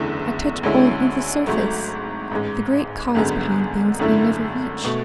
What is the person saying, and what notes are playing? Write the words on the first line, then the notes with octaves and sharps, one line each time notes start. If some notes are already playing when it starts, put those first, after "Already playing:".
I touch only the surface. The great cause behind things I never reach.
Already playing: F#1 E2 D3 A3 E4
D2 D3 G#3 C#4 E4
G#1 G#2 F#3 A3
A1 G#2 G#3
G#1 F#2 D3 G#3 B3
G#1 F#2 D3 A3 E4
B2 A3